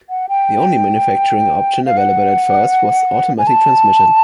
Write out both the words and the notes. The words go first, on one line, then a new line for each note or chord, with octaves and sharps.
The only manufacturing option available at first was automatic transmission.
F#5
G5
F5
F#5
G#5
A5